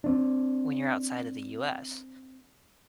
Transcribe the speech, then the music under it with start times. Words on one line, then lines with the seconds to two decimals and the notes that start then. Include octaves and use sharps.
when you're outside of the US.
0.04 C4 D4